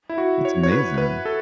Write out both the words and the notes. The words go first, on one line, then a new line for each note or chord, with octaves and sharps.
That's amazing.
E4
F#4
C#5
C#5
B4
B4
A4